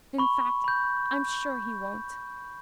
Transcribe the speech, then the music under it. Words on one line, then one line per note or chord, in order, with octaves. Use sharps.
In fact, I'm sure he won't.
B5 C#6
B5 G6